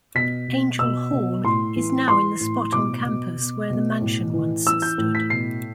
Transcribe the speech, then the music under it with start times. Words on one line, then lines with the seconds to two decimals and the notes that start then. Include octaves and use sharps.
"Angell Hall" is now in the spot on campus where the Mansion once stood.
0.15 B2 B6
0.48 B2
0.79 B2 E6
1.12 B2
1.44 A2 C6
1.76 E3
2.08 E3 C6
2.40 A2
2.73 B2 D6
3.05 B2
3.38 B2
3.70 B2
4.01 A2
4.34 E3
4.67 E3 E6
4.82 G6
4.98 A2
5.15 B6
5.30 B2 C7